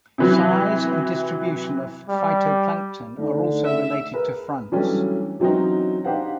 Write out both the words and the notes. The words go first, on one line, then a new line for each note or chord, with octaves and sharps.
Size and distribution of phytoplankton are also related to fronts.
C3 E3 F#3
G3
D3 A3 D#4
E5
G#4 A#4 B4
E3 F#3 G3 A3 C#4 D4
E3 F#3 C4 C#4 D#4
D4 D#4 G4 C5 F5 F#5